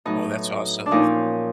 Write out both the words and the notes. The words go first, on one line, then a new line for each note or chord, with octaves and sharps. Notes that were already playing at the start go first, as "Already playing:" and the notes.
Oh, that's awesome.
A2 F#3 B3 D#4
D4
A#2 F3 A#3 C#4 D#4